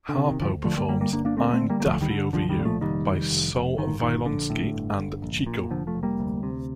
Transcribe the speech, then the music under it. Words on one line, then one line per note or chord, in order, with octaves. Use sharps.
Harpo performs "I'm Daffy over You" by Sol Violinsky and Chico.
D3
C3
D#3
D2 D3 F3
D3 F3 A3
G3 A#3
G1 G3 A#3
G3 A#3
G1 A#3 D4
A#3 D4
D2 A3 C4
A3 C4
D3
G3 A#3
A#3
D2 F3 A3
D#3 G3
D3
C2 D3 F3
D#3 G3
A#2
F3 A3
F1 D#3 G3
F1
F1
F1
G1 D#3
G1 D#3
A#1 D3
A2
G1
G1
A#1
A#2
F1 D3 F3
F3 A3
F1
G3 A#3
D2
C3